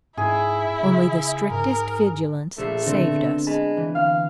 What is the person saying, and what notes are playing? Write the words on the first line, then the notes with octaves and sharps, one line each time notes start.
Only the strictest vigilance saved us.
G#2 E4 G#4
C#3
G#2 A#4
A#1 A3 C7
D3 B3 C4
G#3 A5 B5
E3
F5